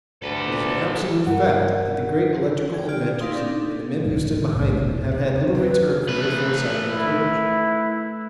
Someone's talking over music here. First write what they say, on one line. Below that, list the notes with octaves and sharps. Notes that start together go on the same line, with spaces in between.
It is an absolute fact that the great electrical inventors and the men who stood behind them have had little return for their foresight and courage.
D2 A4 B4
G2 G3 A#4 F#5
G5 G#6
G4 D5 F6
D#4 E4 D5 F5 C6 D#6
C4 D4 D#4 A4
D1 A2 G3
A2 D#3 F3
A#1 G#2 C3 A3
E1
D#2
C3
F2 G3 C4 B4
G2
A3 B4
E4